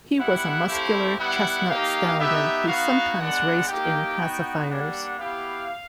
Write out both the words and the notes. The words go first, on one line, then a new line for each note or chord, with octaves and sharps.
He was a muscular chestnut stallion who sometimes raced in pacifiers.
G3 B3 E4 F#5
A3 C4 E4 G4 F5
G3 B3 E4 F#5
A#3 D#4 G4 F5
B3 D#4 G4 E5
B3 D#4 F#4 F5
G#3 B3 D4 F#5
A#3 D#4 G4 G5
B3 D#4 F#4
G3 A#3 D4 F#5
B3 E4 G4 F5